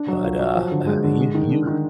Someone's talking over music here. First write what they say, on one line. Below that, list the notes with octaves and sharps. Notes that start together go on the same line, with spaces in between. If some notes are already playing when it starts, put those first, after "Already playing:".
but, uh, uh, you you
Already playing: D4
F#3
F4
F#3
F3
D3
G#3
D3
G#3
D#3
D4
D#3